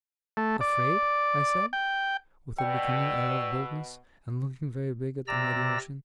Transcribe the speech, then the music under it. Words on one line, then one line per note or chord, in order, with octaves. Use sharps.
'Afraid!' I said, with a becoming air of boldness, and looking very big at the mighty ocean.
A3
D5
G5
B2 D5 G5 E6
C3 D5 A#5 E6 A#6